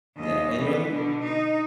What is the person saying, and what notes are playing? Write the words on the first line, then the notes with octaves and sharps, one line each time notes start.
Yeah, and, you know, the
D#2 D#5
E3 B3
B2 D3
D#4